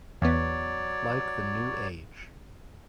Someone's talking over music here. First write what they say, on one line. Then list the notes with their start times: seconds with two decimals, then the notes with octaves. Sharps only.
Like the New Age.
0.22 E2 F#3 B3 C#5 D5